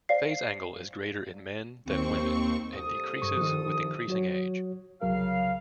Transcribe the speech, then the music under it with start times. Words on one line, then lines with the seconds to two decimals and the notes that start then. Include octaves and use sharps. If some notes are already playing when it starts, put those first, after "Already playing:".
Phase angle is greater in men than women, and decreases with increasing age.
0.09 C5 D5 F5 C7
1.85 D#2 C4 C#6
2.74 C2 A4 D#6
3.22 G2 C#6
3.37 D#3 F3
4.08 F#3 F#4 C#5
5.02 C2 C#3 F#3 A#4 F5